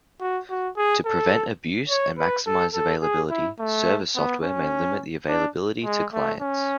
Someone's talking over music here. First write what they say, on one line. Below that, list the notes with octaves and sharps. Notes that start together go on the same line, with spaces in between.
To prevent abuse and maximize availability, server software may limit the availability to clients.
F#4
F#4
G#4
A4
C#5
B4
A4
A4
G#4
E4
A3
B3
C#4
D4
G#3
A3
C#4